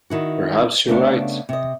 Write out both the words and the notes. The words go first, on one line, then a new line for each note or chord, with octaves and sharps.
Perhaps you're right.
D#3 E4 F#4
C#3 A3 B3 D4 D5 F5
C3 D#5